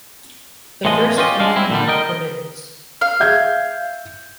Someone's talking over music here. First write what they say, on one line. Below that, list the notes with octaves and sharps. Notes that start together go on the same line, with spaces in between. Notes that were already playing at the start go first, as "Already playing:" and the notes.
The First Amendment forbids.
A2 E3 F3 G#3 D#5
C#4 F4 G4 D#5
G#3 D4 F5
C4 E4
A#2 D3 G3
A#4 D#5 G5
F5
E5 G6 G#6